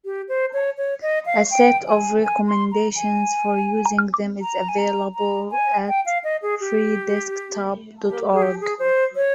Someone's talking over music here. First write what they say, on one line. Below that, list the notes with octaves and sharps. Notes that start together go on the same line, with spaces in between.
A set of recommendations for using them is available at freedesktop.org.
G4
C5
C#5
C#5
D#5
F5
G5
G#5
G#5
C6
A#5
G#5
A#5
G#5
A#5
A#5
G#5
G5
F5
D#5
G#4
G4
G4
G#4
G4
G#4
C5
C#5